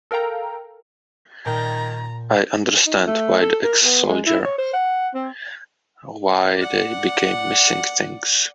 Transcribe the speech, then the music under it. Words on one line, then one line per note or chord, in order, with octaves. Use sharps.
I understand why the ex-soldier, why they became missing things.
A4 A#4 F5 G5 A#5
A#2 D#3 G5 A5 A#5
D#4
A3
A4
A#4
B3
G#3
E4
C#5
C5
F#5
C4
D5 F#5